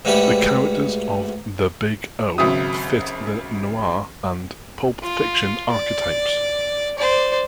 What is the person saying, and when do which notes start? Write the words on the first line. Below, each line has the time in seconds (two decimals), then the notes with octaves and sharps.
The characters of "The Big O" fit the "noir" and pulp fiction archetypes.
0.05 G#2 B2 G3 A3 C#4 B4
2.38 G#1 C#3 F#3 E5 D#6
5.03 F4
5.71 D5
6.98 C5 D5